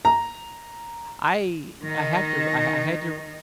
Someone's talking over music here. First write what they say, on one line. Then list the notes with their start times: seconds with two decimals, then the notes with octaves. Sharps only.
I I have to I I had to
0.05 A#5
1.83 D#3 D#4